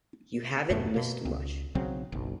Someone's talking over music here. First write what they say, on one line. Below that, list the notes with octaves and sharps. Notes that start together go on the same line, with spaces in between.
You haven't missed much.
D#1 F#2 B2 A3
B2 A#3
C#2
B1 C#3 F#3 C4
F#1 B1